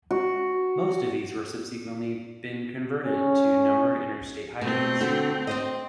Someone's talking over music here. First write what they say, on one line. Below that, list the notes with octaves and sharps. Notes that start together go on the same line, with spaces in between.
Most of these were subsequently been converted to numbered Interstate highways.
F#4
C#4
B2 A3 C4
D3 F#4
C4 C5 D#5